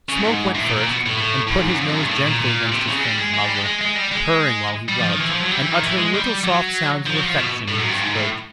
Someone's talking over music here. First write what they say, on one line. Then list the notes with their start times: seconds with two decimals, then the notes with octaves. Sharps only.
Smoke went first and put his nose gently against his friend's muzzle, purring while he rubbed, and uttering little soft sounds of affection in his throat.
0.09 C#3
0.18 A2
0.25 G#2
0.55 A2
0.65 A#2
0.76 A#2
0.86 B2
1.06 A2
1.17 A2
1.48 A2
1.58 G#2
1.69 F#2
1.79 F2
1.89 F#2
1.99 G2
2.10 A2
2.26 A#2
2.41 A#2
2.72 C3
2.87 C#3
2.95 G#3
3.04 G3
3.18 G#3
3.34 G#3
3.45 G3
3.55 G#3
3.66 G#3
3.81 G#3
3.96 G3
4.12 G#3
4.89 G3
4.99 F3
5.10 D#3
5.20 E3
5.30 F3
5.41 F#3
5.51 G3
5.61 E3
5.71 D#3
5.83 E3
5.97 G#3
6.14 G3
6.44 F#3
7.06 F3
7.16 F#3
7.25 F3
7.37 B2
7.68 A2
7.79 F#2
7.90 G2
8.00 G#2
8.15 A2